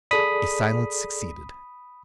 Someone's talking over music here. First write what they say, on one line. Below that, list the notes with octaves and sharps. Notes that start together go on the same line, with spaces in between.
A silence succeeded.
G#4 A4 D5 B5 D#6 B6